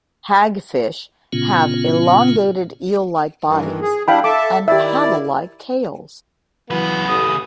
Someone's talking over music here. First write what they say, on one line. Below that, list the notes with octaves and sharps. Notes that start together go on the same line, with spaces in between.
Hagfish have elongated, eel-like bodies, and paddle-like tails.
A#2 C#3 B3 C#4 F4
G2 D#3 E3
G#4
G3 D4 E4 F5 G5 B5
A4 E5 A5 D6
D#3 E4 G4 D5 E5
C#3 E3 F#3 B3 B4
A1 D#6